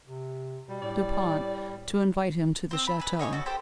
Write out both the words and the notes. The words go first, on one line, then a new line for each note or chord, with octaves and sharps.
Du Pont to invite him to the chateau.
C3
B2 G3
A2 D5
C4 C5
B5
B4 G#5
D#4 C#5 G#5 C#6
F#4 A4
G4 A4 C5 G5